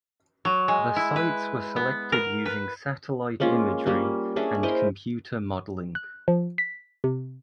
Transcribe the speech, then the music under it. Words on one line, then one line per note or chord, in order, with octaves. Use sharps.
The sites were selected using satellite imagery and computer modeling.
F#3
G#3
E4
B4
B3
A#4
B4
G#3 A#3 C#4 F4
G3 A#3 C#4
C#4 D4 G#4 E5
E4 A#4 C5 D#5
F#6
F3
B6
C3